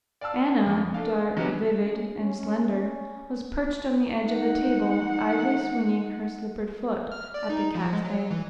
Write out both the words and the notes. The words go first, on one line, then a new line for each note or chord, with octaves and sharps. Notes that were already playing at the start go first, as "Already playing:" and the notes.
Anna, dark, vivid, and slender, was perched on the edge of the table, idly swinging her slippered foot at the cat's head.
D5 F5 A5 E6
F2
A3 D4 F5
F#3 G3 B3 C#4 D4
C#4
C#4
C#4
D#4 F#5
F6
D5
D#4
F3
G#3
F#3
E3